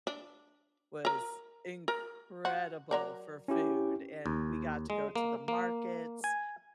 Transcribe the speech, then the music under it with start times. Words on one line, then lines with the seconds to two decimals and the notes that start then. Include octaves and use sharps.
was incredible for food, and we got to go to the markets,
0.07 D4
1.05 A#4 A#5
1.88 A#4
2.45 F#4
2.91 F#3 A#4 D5
3.48 C#4 E4 G4
4.26 D#2
4.90 G#3
5.16 A#3
5.48 A#3
6.24 G#5